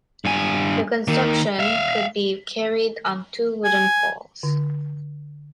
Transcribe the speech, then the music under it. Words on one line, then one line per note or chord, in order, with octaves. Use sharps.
The construction could be carried on two wooden poles.
G2 G#5
D#3 A#3
E5 F5
G#5
D3